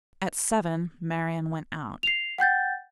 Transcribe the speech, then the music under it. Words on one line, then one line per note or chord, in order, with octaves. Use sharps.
At seven, Marian went out.
C7 F7
F#5 G5 G6 A6